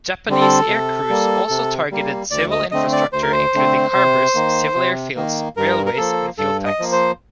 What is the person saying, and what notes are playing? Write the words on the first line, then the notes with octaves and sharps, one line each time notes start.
Japanese aircrews also targeted civil infrastructure, including harbours, civil airfields, railways and fuel tanks.
D3 G3 C4
A4
C3
G3 A#3
C3
G3 A#3
D2 D5
D#5
D3 A3 C4 D#5
D5
D2 C5
A#4
C5
D3 A3 C4
C3
D#3 A#3
C3
D#3 A#3
G2 A#4
A#4
F3 A#3 A4
G2 A4
D#5
F3 A#3
C5